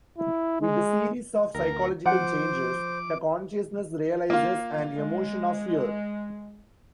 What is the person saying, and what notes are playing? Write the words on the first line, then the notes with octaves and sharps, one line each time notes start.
With the series of physiological changes, the consciousness realizes an emotion of fear.
E4
G#3
D2 A#4
F3 C5 F#5 D6
A#3 F4
G#3